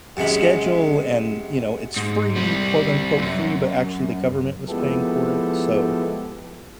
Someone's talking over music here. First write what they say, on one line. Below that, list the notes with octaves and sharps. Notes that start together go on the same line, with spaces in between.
schedule, and, you know, it's free, quote unquote "Free," but actually the government was paying for it, so,
F#2 C3 G#3 B5
G#2
C3 G3
C#2 F#2
F3 G#3 B3 E4 G4 A4